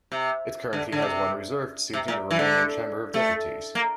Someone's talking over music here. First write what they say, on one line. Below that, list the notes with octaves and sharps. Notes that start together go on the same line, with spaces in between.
It currently has one reserved seat in the Romanian Chamber of Deputies.
C3
D3
D3
C3
C3
A#2
E3
D3
A3
A#3